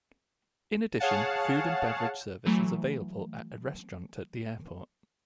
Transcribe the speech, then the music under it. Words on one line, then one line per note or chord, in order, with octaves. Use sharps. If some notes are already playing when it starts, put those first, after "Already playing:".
In addition, food and beverage service is available at a restaurant at the airport.
G#4 C#5 F5 F#5 A5
E3 F#3 A3